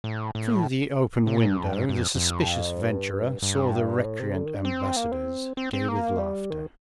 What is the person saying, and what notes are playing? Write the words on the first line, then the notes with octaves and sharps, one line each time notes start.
Through the open window the suspicious venturer saw the recreant ambassadors, gay with laughter.
A2
A2
C3
A#2
G2
F2
G2
G2
F2
F2
G2
G2
A2
C3
D3
D#3
D4
C4
A#3
C4
C4
C4
A#3
G3
D#3